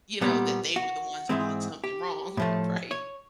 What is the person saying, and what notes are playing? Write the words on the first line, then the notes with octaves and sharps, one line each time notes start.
You know, that they were the ones doing something wrong, right?
A#2 G3 B3
F#4
G#2 E3 G#3 C4
G4
A2 F3 A3
C#5